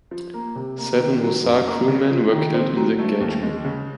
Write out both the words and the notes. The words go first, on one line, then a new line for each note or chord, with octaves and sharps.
Seven Hussar crewmen were killed in the engagement.
F3
A#3
C3
A#3
D#3
F#3
F#2
A#3
C#3
F3
D#3
C4
F#3
A3
D#2
G#3
C#3